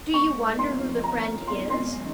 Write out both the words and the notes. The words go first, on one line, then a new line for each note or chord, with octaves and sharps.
Do you wonder who the friend is?
C#3 G#3 D#4 C#6
C#3 F3 C4 F4 C6
D#3 A#3 C#4 F4 A#5
F#2 D#3 G#3 C#4 C6
C6